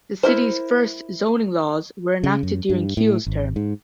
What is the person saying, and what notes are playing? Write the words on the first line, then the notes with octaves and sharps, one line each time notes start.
The City's first zoning laws were enacted during Kiel's term.
E4 A#4 C5
C#3
F#2
G2
A2
G#1
G#2